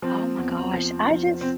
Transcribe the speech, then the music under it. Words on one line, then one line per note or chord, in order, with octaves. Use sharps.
Oh my gosh, I just
F3 C4
E2
F3
F3
C4